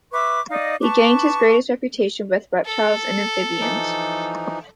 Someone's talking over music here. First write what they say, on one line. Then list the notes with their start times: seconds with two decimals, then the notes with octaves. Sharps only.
He gained his greatest reputation with reptiles and amphibians.
0.12 B4 E5 C#6 D6
0.50 D#4 D5 D#5 F5
0.82 B4 A5 C#6 D6
2.65 A4
3.60 E3 F3 D#4